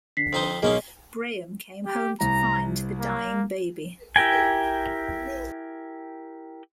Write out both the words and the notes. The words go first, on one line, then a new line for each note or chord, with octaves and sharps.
Braham came home to find the dying baby.
D3 B6 C7
F2 D#4 C5
B1 G#3 A#3 C#4 D#4 G#4
G4
C2 A#5
A#3
E4 G4 A#4 G5 G#5